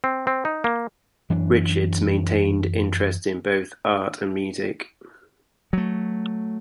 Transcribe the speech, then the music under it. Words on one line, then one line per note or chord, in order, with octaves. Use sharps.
Richards' maintained interests in both art and music.
C4
C4
D#4
A#3
F#2 E3 D4
F#3 A3